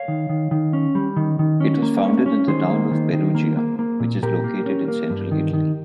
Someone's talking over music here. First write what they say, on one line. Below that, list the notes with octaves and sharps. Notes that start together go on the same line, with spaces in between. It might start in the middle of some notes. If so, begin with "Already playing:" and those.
It was founded in the town of Perugia, which is located in central Italy.
Already playing: C#5 F5
D#3
D#3
D#3
C#4
G3
D#3
D#3
C#4
A#3
C#4
C#4
D#3 G#4 C5
A#3
D#3
D#3
A#3
A#3
A#3
A#2
A#2 G4 A#4
A#3
C#4
A#3
G2
D#3
D#3